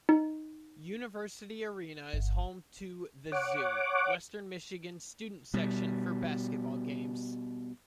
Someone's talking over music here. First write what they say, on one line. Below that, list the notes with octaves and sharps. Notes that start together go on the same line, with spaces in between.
University Arena is home to "The Zoo", Western Michigan's student section for basketball games.
D#4
G1
C#5 F#5 D6
B2 G3